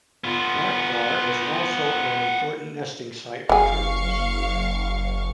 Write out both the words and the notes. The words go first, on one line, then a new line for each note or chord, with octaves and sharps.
Farquhar is also an important nesting site for turtles.
B3 F4
F#1 F#3 G#4 F5 C#6